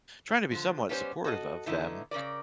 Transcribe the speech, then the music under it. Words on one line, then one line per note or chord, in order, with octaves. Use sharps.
trying to be somewhat supportive of them.
D3 F3
G3 B3 C#4 G4 C5
F#4 A4 D#5
D3 A3 B3 D#4 E4
C#3 C#4 A#4 D5